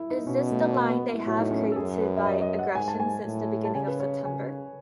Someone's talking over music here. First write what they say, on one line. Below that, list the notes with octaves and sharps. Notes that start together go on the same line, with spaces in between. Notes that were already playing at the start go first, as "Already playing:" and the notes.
Is this the line they have created by aggression since the beginning of September?
Already playing: E4
D#4
B2 C#4
A3
A3
B3
E4
A2 F#4
D#4
C#4
C#4
A4
F#2 G#4
B4
E5
D#5
D#5
F#5
G#2 G#5
A5
G#5
A2
A5
C#3 G#5
B4
C#5
C#3 G#5